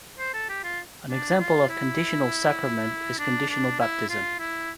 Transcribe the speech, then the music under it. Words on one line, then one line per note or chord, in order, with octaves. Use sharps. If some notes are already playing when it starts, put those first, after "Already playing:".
An example of conditional sacrament is conditional baptism.
C5
A4
G4
F4
D4
F4
E4
D4
D4
E4
F4
E4